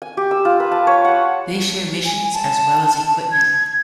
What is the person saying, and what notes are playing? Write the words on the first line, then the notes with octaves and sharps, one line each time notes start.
They share missions as well as equipment.
G#5
G4
E6
F4
B4
A5
C#5
F#5
G#5
A5
G#6